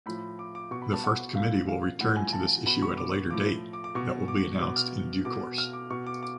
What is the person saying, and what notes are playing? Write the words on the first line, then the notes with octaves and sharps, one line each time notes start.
The First Committee will return to this issue at a later date that will be announced in due course.
A2 F3 B5
D6
D6
B2 C#6
B5
A5
F#5
A2 F3 F5
F5
A2 F3 F#5
G#5
A5
B2 B5
C#6
D6
A2 F3 D6
D6
D6
B2 C#6
D6
B2 D6
F6
B2 D6
F6
D6
B2 C#6
D6
D6